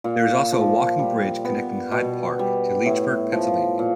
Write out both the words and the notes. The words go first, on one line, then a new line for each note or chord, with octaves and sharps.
There is also a walking bridge connecting Hyde Park to Leechburg, Pennsylvania.
A#2
F3
G3
B3
B2
G3
A2
F3
A#2